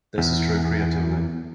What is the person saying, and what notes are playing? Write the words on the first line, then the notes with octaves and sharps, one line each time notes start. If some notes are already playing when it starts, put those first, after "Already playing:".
This is true creativity.
E2